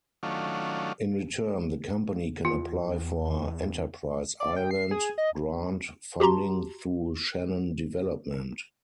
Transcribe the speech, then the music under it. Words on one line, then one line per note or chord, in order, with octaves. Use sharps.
In return the company can apply for Enterprise Ireland grant funding through Shannon Development.
D#3 F#3 A3 C#4 D4 F4
E2 F4
D5
G5
C7
G#4
D#5
F#4 G4 A5 A#5 C6